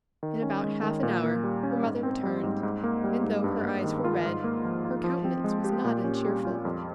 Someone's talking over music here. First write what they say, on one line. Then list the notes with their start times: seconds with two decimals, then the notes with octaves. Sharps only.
In about half an hour her mother returned, and though her eyes were red, her countenance was not uncheerful.
0.23 D#3
0.42 C#4
0.63 G#3
0.83 D#3
1.03 A#2
1.24 A#3
1.44 G3
1.63 C#4
1.83 G#2
2.03 C4
2.23 G3
2.43 G#2
2.63 G#2
2.83 A#3
3.04 G3
3.24 G#2
3.44 G2
3.64 A#3
3.84 D#3
4.04 F4
4.24 G#2
4.44 A#3
4.65 F3
4.85 F4
5.04 F3
5.25 C4
5.44 G#3
5.64 G4
5.85 A#2
6.04 C#4
6.25 G3
6.45 F4
6.65 F2